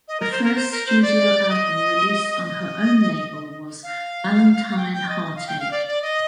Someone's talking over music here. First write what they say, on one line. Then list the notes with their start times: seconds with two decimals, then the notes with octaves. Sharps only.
The first studio album released on her own label was "Valentine Heartache".
0.08 D#5
0.20 A#4
0.32 C5
0.44 A#4
0.55 C5
0.71 A#4
0.86 C5
1.02 D5
1.49 D#5
2.43 D#5
3.83 F5
4.77 G5
4.93 G5
5.09 D#5
5.24 D#5
5.36 F5
5.47 G5
5.60 F5
5.71 D5
5.87 D5
6.02 D#5